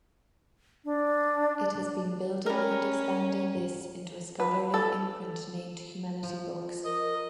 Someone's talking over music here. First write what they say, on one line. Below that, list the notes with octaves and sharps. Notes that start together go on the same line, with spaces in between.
It has been building and expanding this into a scholarly imprint named Humanity Books.
D4
G3 C#4 A#4
B4
A4
F3
A#4 D#5